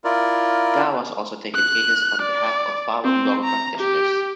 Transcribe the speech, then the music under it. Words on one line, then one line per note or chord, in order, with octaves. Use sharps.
Gao has also taken cases on behalf of Falun Gong practitioners.
E4 F4 A#4 D5
F#6
D5
C4
A#5
G4